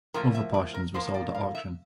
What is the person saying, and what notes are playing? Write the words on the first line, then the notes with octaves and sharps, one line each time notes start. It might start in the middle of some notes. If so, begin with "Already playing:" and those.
Other portions were sold at auction.
A2 F3 A#3 A#4
E5
D5
A#4
A2 F3 A#3 C5
D5
F5
E5